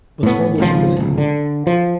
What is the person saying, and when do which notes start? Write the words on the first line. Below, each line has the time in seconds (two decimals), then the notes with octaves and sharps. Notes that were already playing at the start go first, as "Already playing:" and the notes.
But Spargo shook his head.
0.23 A2 B3
0.58 G#1 C#2 C3 F3
0.97 D1 C#2
1.18 D3
1.67 F3